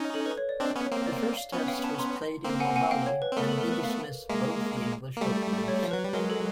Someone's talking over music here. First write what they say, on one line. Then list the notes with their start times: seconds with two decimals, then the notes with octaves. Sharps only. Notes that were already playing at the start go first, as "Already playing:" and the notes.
The first Test was played in Mohali, and he dismissed both the English openers.
Already playing: C#4 D#4
0.14 A4
0.26 B4
0.37 C#5
0.49 D5
0.60 C4 D4 D#5
0.75 B3 C#4
0.83 C#5
0.91 A#3 C4
1.06 D5
1.22 D5
1.37 F5
1.52 B3 C#4
1.68 F5 G5
1.83 A5 B5
1.99 A#5 C6
2.44 A#3 C4
2.60 F#5 G#5
2.76 F#5 G#5
2.91 F5 G5
3.06 C#5
3.22 B4
3.32 C4
3.37 A3 B3 A#4
3.49 A4
3.60 A#4
3.72 B4
3.83 F5
4.29 G#3 A#3 E5
5.17 A#3
5.21 G3 A3
5.68 C#5
5.83 F3
5.91 F#3 B4
6.04 G3
6.14 F#3 G#3 A#4
6.30 A4